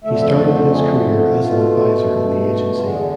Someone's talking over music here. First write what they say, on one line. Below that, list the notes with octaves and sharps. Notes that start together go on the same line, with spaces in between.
He started his career as an advisor in the agency.
F2 D3 A3 E5
E5
D5
C5
G#4
B2 A3 F4
E2 D3 G#3 F4
G#4